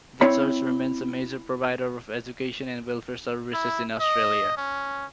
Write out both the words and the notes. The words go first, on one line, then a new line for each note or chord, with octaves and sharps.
The church remains a major provider of education and welfare services in Australia.
C4 E4 C#5 B5
E4
D#5
C#4